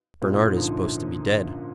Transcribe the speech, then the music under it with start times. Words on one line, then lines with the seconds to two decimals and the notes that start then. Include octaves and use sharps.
"Bernard is supposed to be dead."
0.22 F#2 A#2
0.33 F#2 A#2
0.45 G#2
0.56 D3 F3